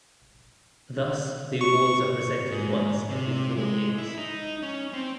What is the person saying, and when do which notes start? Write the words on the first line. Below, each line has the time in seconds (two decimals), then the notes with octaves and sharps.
Thus, the awards are presented once every four years.
1.61 C#6
2.51 G#2
3.09 C3
3.57 G#3
3.98 E4
4.18 D#4
4.62 C#4
4.93 C4